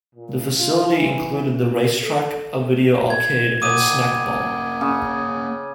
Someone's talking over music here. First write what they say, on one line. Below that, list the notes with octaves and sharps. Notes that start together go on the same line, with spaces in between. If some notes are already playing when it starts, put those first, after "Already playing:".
The facility included the racetrack, a video arcade and snackbar.
A#2
F4
E3
A4
G#6
A#3 F#4 D6 D#6 D#7
C#3